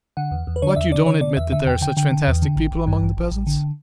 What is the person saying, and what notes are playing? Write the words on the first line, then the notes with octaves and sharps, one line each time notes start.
What, you don't admit that there are such fantastic people among the peasants?
D3 F#5
E2
E2
B4
D3 C#5
D5
E2 E5
D3 D5
D3 C#5
D3 D5
E2 E5
D3 E5
E2 G5
D3 G5
D3 G5
D3
E2
D3
A1
A1
G2
A1
A1
A1
D3